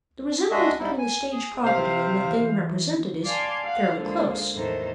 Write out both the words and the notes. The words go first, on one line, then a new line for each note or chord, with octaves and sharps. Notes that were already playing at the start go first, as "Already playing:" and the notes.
The resemblance between the stage property and the thing represented is fairly close.
G#3 D4 F#4 G#4 D#5 E5
G#2 G3 D#4 E4
G#5
G#4
C3 C5 F5
E3
D5 F5 G#5 A5 C6
F5 F#5
D3 F3 G#3 A#3
E2 A2 D#3 A4 A#4 C5